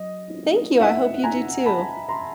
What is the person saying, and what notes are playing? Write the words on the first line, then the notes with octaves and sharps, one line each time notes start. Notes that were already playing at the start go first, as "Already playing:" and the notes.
Thank you, I hope you do too.
Already playing: F#3 D#5
E5 F#5
G#5 A#5
A5 B5
A#5 C6